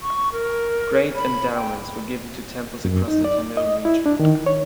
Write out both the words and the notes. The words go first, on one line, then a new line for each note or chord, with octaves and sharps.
Great endowments were given to temples across the Tamil region.
C#6
A#4
B5
G5
F#2
D#4
D5
D#5
E4
D4
D#3
C#5